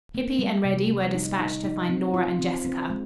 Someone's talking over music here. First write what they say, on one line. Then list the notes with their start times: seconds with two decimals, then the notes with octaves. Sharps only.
Hippy and Reddy were despatched to find Nora and Jessica.
0.15 A#3
0.39 G3
0.65 C3
0.89 G3
1.14 D#4
1.39 D#4
1.65 D#4
1.89 C4
2.14 F4
2.39 C4
2.65 C4
2.90 G#3